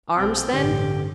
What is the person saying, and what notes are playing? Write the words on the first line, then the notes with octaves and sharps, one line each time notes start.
"Arms, then?"
B1 C4
A1 G2 D3 G4